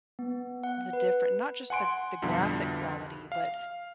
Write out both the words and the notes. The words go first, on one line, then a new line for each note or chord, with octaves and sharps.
the different not just the g the graphic quality, but
B3
F#5
B4
F#5 G#5 C6 D7
C2 F2 B2 D3 F3
F5